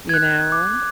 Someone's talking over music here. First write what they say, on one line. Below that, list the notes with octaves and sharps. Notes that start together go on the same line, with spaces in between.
you know,
F#6 G#6
D6